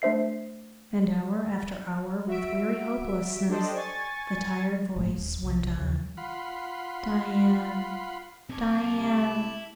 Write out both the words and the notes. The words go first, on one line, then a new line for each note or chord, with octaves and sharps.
And hour after hour with weary hopelessness the tired voice went on--"Diane, Diane...."
A3 D4 C5 E5 C7
F#4 E5 D7
D4 G4 A4 C5 D5 D#5
G#5 C#6 A6
G1 A2 G#3 A3
D#1
B1 C3
D#2 C#3 F3
F4 F#5 B5 C6
B1 C4 C#5 A5 D6
C2 E4